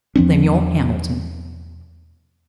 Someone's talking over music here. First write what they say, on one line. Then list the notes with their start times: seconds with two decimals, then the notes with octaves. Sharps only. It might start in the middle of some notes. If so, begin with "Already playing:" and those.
Lemuel Hamilton.
0.16 E2 F3 C4 D4